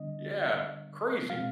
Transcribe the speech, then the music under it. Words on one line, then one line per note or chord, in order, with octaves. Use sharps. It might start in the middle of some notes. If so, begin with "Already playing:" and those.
Yeah, crazy.
Already playing: D3 G3 B3 D4 D#5
B2 G#3 C4 F5